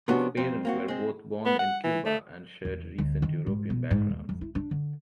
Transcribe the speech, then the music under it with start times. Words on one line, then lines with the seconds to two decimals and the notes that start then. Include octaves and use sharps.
His parents were both born in Cuba and shared recent European backgrounds.
0.08 C3 F3 B3 C#4 D4 F#4
0.37 F2 C4
0.65 A#3 C4 F#4
0.88 G#3 C4
1.46 B3
1.59 F#5
1.84 E3
2.06 A3
2.65 E2
2.98 D2
3.22 D#3
3.46 G#2
3.70 B2
3.91 G#2
4.10 D#2
4.29 F2
4.41 E4
4.55 D4
4.71 D3